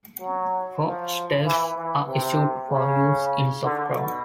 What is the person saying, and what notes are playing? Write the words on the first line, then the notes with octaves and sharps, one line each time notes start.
Four stakes are issued for use in soft ground.
F#3
F3
E3
E3
C3
C#3
D3
B2